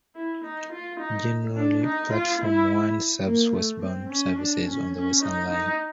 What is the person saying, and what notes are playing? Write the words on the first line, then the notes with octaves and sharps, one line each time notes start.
Generally Platform One serves westbound services on the Western Line.
E4
D#4
F4
D#4
D4
D#4
F4
E4
A#3
A3
C4
C#4
D4
C#4
C#4
D#4
D#4